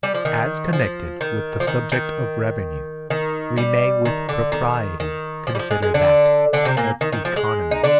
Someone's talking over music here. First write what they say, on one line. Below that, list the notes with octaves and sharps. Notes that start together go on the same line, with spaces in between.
As CONNECTED with the subject of revenue, we may with propriety consider that of economy.
G3
F3
D#3
F3
D#3
F3
D#3
D#3
D#3
G3
D#3
D3
D#3
D#3
F3
G3
F3
G#3
G#3
D3 D4
D3 D4
C3 C4
A#2 A#3
D#3
D#3
F3
G#3
D#4
D3 D4